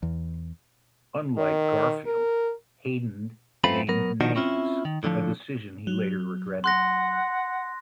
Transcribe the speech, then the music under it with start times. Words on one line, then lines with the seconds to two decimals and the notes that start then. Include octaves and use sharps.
Unlike Garfield, Hayden "named names", a decision he later regretted.
0.03 E2
1.38 D#3
2.07 A#4
3.64 F#2 A3 B3 C4 F4 B5
3.88 F#3 B3 A#4
4.21 B2 D#3 F3 D4 D#4 F#4
4.35 C4 C#4 E4 F4 E5
4.85 D#3
5.03 A2 D3 D#3 F3
5.87 F#3
6.64 F#5 C6 F#6 A#6